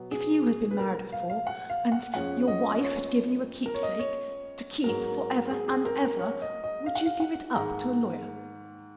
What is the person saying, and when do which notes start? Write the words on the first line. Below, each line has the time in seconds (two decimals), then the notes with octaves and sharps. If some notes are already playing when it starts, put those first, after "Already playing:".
If you had been married before, and your wife had given you a keepsake,--to keep for ever and ever, would you give it up to a lawyer?
Already playing: B2 F#3 B3
0.11 G#4
0.71 B4
0.79 A#4
1.12 F5
1.30 F5
1.47 F#5
1.70 F5
1.92 F#5
2.14 F2 F3 G#3 C#4 F#5
2.48 D#5
2.81 C#5
3.66 A#4
3.75 C#5
3.83 D#5
3.99 C#5
4.83 G#2 F#3 B3 A#4
5.51 G#4
5.68 G#4
5.85 A#4
6.02 A#4
6.19 C#5
6.42 D#5
6.64 D#5
6.86 F5
6.95 F#5
7.06 F5
7.20 F#5
7.54 G#2 D#3 G#3 A#5